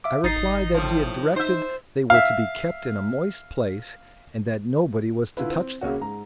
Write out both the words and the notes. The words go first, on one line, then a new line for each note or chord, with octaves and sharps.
I replied that he had directed they were to be kept in a moist place, and that nobody was to touch them.
E5 F5 D6
G#1 D#4 A6 C7
A2 F3
D#4 C5 E5
E5 F5
D3 E4 F4 B4
C4
C#3 A#3 C#4 F#4
G#2 A#5